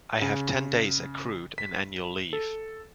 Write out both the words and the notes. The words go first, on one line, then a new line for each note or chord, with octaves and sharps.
I have ten days accrued in annual leave.
C#3
B6
A4